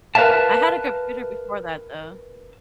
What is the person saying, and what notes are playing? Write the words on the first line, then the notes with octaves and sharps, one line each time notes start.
I had a computer before that, though.
A#4 B4 C#5 E5 F5 A5